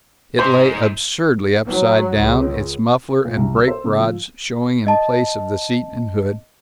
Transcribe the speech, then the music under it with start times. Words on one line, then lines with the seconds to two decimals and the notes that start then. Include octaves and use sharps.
It lay absurdly upside-down, its muffler and brake-rods showing in place of the seat and hood.
0.39 G#2 C5
1.67 F#3
2.18 C#2
3.25 A#2
3.37 C2
3.56 E6
3.68 C5
3.84 C#3
3.98 F3
4.87 D#5 A5